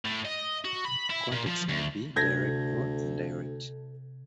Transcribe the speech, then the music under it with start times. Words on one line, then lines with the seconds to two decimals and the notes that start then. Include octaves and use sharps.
Contexts may be "direct" or "indirect".
0.05 A2
0.25 D#5
0.65 F#4
0.85 B5
1.10 E4
1.32 A#2
1.47 F3
1.69 D2
2.16 D2 C3 A4 G6 G#6 A#6